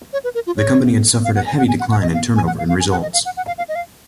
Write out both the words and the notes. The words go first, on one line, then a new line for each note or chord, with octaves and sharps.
The company had suffered a heavy decline in turnover and results.
C#5
B4
A#4
F4
C#5
F5
F#5
G#5
F#5
G#5
F#5
F#5
D#5
F5
G#5
F#5
F5
F5
G#5
F#5
D#5
F5
F#5
F#5
F5
F5
D#5
F5